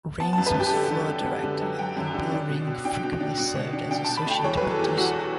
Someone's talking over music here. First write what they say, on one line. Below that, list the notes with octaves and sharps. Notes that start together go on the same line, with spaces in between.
Rains was floor director and Bill Ring frequently served as associate producer.
B3 A5
F#2 A5
B4
F#2 G4
G4
D3 A4
D3
D3
B3
D3
F#3
F#3 G5
F#2
D3
D4
B2
B2
D4 G5
B2
D4
B2
B2
D4
D4 G5
B2 A5
B5
A3 G5
E2 C#5
F#3 B4
A4
E2 G4
E2 F#4